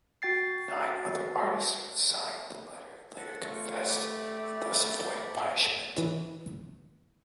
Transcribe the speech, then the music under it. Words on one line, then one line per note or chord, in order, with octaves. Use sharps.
Nine other artists who had signed the letter later "confessed" and thus avoided punishment.
F#4 G5 A6 C7
A4 F#5
A3 F4 C#6
G4 D5 B5
E3